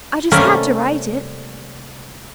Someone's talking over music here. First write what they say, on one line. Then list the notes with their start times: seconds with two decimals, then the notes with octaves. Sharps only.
I just had to write it.
0.31 C3 G3 A3 A#3 C#4